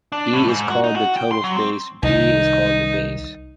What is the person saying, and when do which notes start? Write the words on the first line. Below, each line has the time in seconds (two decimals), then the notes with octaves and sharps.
"E" is called the total space, "B" is called the base.
0.12 D4
0.33 A2
0.48 G#2
0.70 F#4
0.84 D#4
0.96 F#4
1.16 G5
1.32 C6
1.44 F#3
1.57 C4
2.03 C2 D#3 D#4